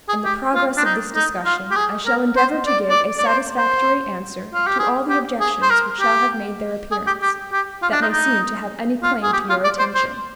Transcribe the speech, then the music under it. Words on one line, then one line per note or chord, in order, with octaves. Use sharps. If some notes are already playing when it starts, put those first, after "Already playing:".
In the progress of this discussion I shall endeavor to give a satisfactory answer to all the objections which shall have made their appearance, that may seem to have any claim to your attention.
G#4
G4
F4
D4
D#4
D#4
F4
G4
G#4
A#4
C5
D5
D5
D5
C5
C5
F4
G4
G#4
G4
G#4
C5
A#4
G4
G#4
G4
G4
G4
F4
D4
D#4
D#4
F4
G#4
G4
F4
D5
C5
C5